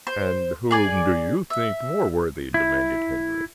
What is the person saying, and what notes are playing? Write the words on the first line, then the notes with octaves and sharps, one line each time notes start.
"And whom do you think more worthy?" demanded Henry.
C5
G#4 D5 G#5
E5
E4